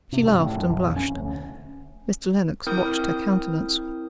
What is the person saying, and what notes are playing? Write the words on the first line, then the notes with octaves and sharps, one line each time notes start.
She laughed and blushed: Mr. Lennox watched her countenance.
C3
G2
A2
F#2
B1
F2
C#4
D2
C4 E4 A#4 D#6 G6